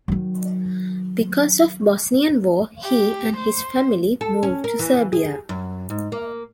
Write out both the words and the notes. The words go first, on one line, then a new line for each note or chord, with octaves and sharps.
Because of the Bosnian War he and his family moved to Serbia.
D#3 F#3
G4
C5
A4
C#4
A#4
E3
G#4
F#2
G#2
A#3